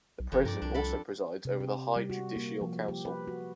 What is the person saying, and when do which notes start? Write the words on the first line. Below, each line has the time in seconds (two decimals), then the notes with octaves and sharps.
The president also presides over the High Judicial Council.
0.20 B1
0.32 F#1 F2
0.45 G2 A#4 D5
0.62 C2 D4
0.74 A4 B5
1.45 C3
1.60 G4
1.96 G3
2.10 F#4
2.36 A#3
2.61 F3
2.88 G4
3.05 B4
3.28 F#4